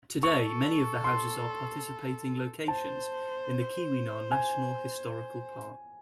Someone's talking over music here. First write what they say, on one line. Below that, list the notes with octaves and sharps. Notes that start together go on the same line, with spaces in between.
Today, many of the houses are participating locations in the Keweenaw National Historical Park.
A4 C#6
C6
C5 A5
G#5